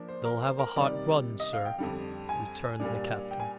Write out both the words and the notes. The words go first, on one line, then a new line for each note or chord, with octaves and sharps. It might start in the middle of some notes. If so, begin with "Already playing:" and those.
"They'll have a hot run, sir," returned the captain.
Already playing: F3 A#3 D4
C5
A#4
C5
A#4
C3 D#3 G3 D5
D#5
F5
G5
F2 D3 G3
G#5
A#2 G3 D4
G5
G#5